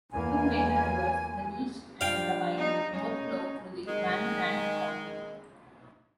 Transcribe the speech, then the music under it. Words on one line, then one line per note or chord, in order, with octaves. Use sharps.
Two major rivers, the Neches and the Sabine both flow through Van Zandt County.
E2 A#3 G#5
F3 G3 D4 F5 G5
D#4
C#4 D#4
D#3 G#3